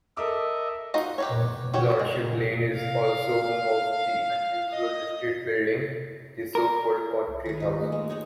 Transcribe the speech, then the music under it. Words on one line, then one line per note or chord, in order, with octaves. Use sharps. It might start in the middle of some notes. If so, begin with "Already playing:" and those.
Lordship Lane is also home of the unusual listed building, the so-called "Concrete House".
A4 A#4 D#5 E5 D6
D#4 F4 F#4 D#5
G4 B4 C#5
F#4 G4 C#5
G#3
F5
D#5
A#4
C2
D#3 G#4 B4
D#4 F4
A3 A#3 F5
G#3
G#3 D#4 F#4 C#5